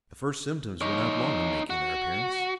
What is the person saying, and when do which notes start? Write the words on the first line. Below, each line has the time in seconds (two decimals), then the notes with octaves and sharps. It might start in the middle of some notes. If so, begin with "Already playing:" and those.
The first symptoms were not long in making their appearance.
0.82 D#4 C#5
1.70 F#4